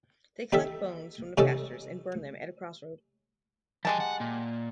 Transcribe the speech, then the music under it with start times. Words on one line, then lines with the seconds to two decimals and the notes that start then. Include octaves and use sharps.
They collect bones from the pastures and burn them at a crossroad.
0.52 D#4 G4 A4 E5
1.38 C3 C#4 D#4 A4
3.85 F3 G3 G#3 G#5 A5
4.00 F#5
4.20 A#2